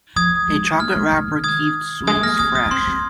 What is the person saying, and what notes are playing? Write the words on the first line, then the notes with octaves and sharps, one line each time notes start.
A chocolate wrapper keeps sweets fresh.
F3 D#6 G#6
G#3
A#3 F6
G#3
C3
D#3
D#6 G#6
F3
G#3 D#6 G#6
C4
A#3 F6 A#6
C4 D#6 G#6
C4 D#6
D#4
C4 C6
C4